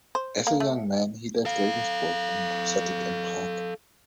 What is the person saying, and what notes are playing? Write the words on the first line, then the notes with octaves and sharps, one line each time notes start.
As a young man he left Regensburg and settled in Prague.
C5
A#3
A3
A4 F5